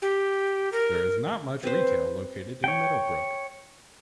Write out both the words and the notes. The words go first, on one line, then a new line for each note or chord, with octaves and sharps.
There is not much retail located in Meadowbrook.
G4
A#4
C4 B4 C5
C#5 G5